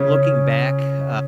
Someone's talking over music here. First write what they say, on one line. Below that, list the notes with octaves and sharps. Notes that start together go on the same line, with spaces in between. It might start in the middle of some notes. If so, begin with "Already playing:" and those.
looking back, uh,
Already playing: C#3 C#4